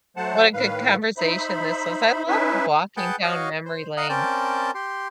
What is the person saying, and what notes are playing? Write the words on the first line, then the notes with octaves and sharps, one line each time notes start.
What a good conversation this was, I love walking down memory lane.
F#3 A3 C5 F#5 A5
A2 D#3 B4 F5
D#4 C5 E5 B5
C#4 D#4 E4 B4 E5
G#4 B4 F#5 G5 A5
F#4 C#5 D#5 F5
C5
D#5 F5 F#5 A#5 D#6
C4 C#4 A#4 D5 G5 A5
G4 C6